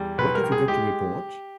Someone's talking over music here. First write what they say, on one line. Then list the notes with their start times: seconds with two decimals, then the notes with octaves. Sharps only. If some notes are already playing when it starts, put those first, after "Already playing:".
What have you got to report?
Already playing: E2 G3
0.18 B1 B4
0.35 A#4
0.44 G3
0.52 G#4
0.68 G#3 G4